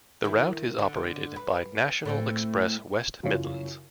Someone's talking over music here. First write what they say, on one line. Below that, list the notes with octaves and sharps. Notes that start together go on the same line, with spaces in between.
The route is operated by National Express West Midlands.
D#3 E4
D3
B4
A2 A3 C4
F#2 C#3 E4 F4 C#5